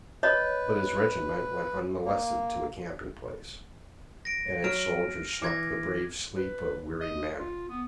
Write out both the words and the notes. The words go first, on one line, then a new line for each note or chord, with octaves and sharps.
But his regiment went unmolested to a camping place, and its soldiers slept the brave sleep of wearied men.
B4 C#5 D#5
A#3
A#6 D7
F#3 F6 D7
E3 D6 G#6 A#6
B4
D#5
F4
B3